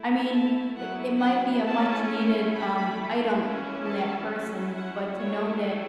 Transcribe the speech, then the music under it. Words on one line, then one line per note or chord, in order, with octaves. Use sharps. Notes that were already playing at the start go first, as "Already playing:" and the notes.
I mean, it it might be a much needed, um, item from that person, but to know that
Already playing: A3 E4
A5
F#3 B3 E4 F#5
F#5
A3 C#4 E4 A5
A3 E4 B5
E3 C#4 E4
A5
F#3 C#4 E4
F#5
F#3 A3 E4 C#5